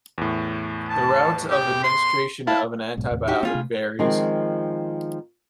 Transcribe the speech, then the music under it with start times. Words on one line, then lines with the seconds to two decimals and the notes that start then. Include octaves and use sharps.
The route of administration of an antibiotic varies.
0.18 E2 A2
0.89 A5
1.50 G4
1.83 C6
2.47 E4 F5 A5
2.97 B1 G#2 B2
3.11 D#2 A2 C3
3.27 D#4 F#4 G4
3.43 G3 A#3 C4 F4 G#4
3.54 C3 A3
3.99 D#3 F3 G#3 C4